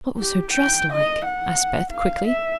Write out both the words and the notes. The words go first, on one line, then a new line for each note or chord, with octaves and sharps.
"What was her dress like?" asked Beth, quickly.
G4
G5
D#5
F#5
F5
E5